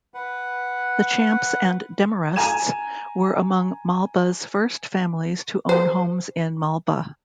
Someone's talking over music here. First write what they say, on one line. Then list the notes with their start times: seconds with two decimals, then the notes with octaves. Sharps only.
The Champs and Demarests were among Malba's first families to own homes in Malba.
0.14 B4 F#5
2.36 G#5 A#5 G#6 D#7 E7
5.69 C5